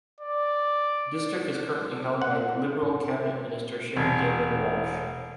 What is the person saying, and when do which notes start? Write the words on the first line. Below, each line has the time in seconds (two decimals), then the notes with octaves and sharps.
The district is currently held by Liberal Cabinet Minister Sherry Gambin-Walsh.
0.21 D5
2.22 F#5
3.96 E1